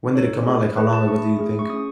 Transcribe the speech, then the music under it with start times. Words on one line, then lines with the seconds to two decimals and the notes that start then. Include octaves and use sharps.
when did it come out, like, how long ago do you think?
0.15 D#4 A4 C#5
0.46 A3 E4 G#4
0.77 A3 E4 G#4 B4
0.93 A5
1.08 A3 E4 G#4 C#6
1.39 A3 E4 G#4
1.59 C#6
1.69 C#4 D#6
1.74 G#4